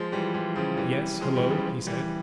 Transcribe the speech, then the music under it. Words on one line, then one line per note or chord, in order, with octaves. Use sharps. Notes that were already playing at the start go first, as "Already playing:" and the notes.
"Yes--hello!" he said.
Already playing: F3 G#3
E3 G3
E3 G3
C#3 F3
E3 G3
F3 G#3
E3 G3
C#3 F3
E3 G3